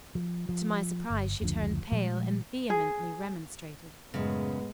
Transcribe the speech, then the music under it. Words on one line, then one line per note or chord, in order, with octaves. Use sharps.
To my surprise she turned pale, and vehemently remonstrated.
F3
F3
G1
F#1 D2 F3 D4
A#2 F3 G3 G#3
G#4
F#2 A2 C#3 G#3 B3